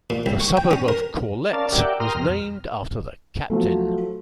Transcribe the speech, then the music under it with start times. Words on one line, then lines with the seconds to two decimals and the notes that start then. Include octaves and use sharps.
The suburb of Corlette was named after the captain.
0.10 A#2
0.26 C2
0.40 C#6
0.57 G5
0.71 C#4
0.88 A#4
1.53 C#4 A#4 D5 F5 A5
1.72 G4 A#4 D5 E5 F#5 G5
2.00 A#4 G5 A#5 C6 D#6 F6
2.15 F2 B2 F6
3.50 F3 F#3 A3